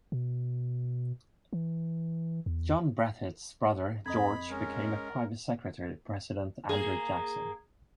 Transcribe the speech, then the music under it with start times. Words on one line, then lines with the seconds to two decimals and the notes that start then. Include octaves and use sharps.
John Breathitt's brother, George, became a private secretary to President Andrew Jackson.
0.12 B2
1.53 E3
2.46 E2
4.06 F2 D#5 A#5 B5 D#6 G#6
4.50 G#3 C#4 A#4
6.69 A#3 G#4